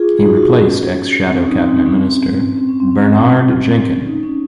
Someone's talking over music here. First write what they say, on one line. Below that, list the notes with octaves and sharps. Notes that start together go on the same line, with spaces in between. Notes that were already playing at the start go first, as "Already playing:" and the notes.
He replaced ex-shadow cabinet minister Bernard Jenkin.
Already playing: F4 G#4
G#4
D#4 F#4
F#4
F4
C#4
C4
C#4
D#4
C4
D#4
C#4
C4
C#4
C4
C#4
C4
C#4
C#4
C4
C4
C#4
D#4
C#4